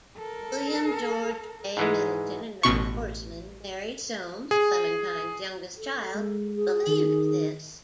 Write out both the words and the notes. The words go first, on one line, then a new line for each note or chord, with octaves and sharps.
William George "Bay" Middleton, a noted horseman; Mary Soames, Clementine's youngest child, believed this.
A4 A#4
G#2 E3 G#3
A1 B2 C#6
G#4
A4
G#3
G#4
D#3